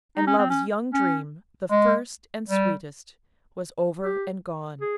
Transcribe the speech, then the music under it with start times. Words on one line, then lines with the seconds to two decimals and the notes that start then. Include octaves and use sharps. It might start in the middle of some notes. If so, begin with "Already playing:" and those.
And love's young dream, the first, and sweetest, was over and gone.
0.17 D#4
0.27 C#4
0.38 C4
0.50 C#4
0.94 C#4
1.71 G#3
2.49 G3
4.03 G4
4.81 G#4